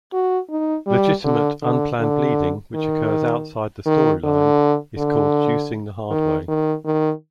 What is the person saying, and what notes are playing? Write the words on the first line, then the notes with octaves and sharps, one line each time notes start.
Legitimate, unplanned bleeding which occurs outside the storyline is called juicing the hard way.
F#4
D#4
G3
D3
D3
D3
D#3
D#3
D3
D3
D#3
D#3
D#3